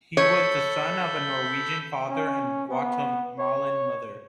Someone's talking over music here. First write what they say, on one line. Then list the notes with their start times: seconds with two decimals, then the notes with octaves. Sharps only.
He was the son of a Norwegian father and Guatemalan mother.
0.17 A4 C#5 B5 G6
2.10 C#4
2.71 B3
3.39 C#5